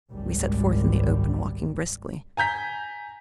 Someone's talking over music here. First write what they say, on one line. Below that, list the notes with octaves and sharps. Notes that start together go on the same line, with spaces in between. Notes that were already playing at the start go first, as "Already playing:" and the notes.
We set forth in the open, walking briskly.
G#1 C#2 F#2 G3
G#5 A#5 G6 B6